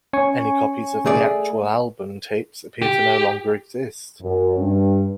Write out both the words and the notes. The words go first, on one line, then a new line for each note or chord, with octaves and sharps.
Any copies of the actual album tapes appear to no longer exist.
C#4 G#5 C#6
A3 G#4 D5
G4
F#2
G2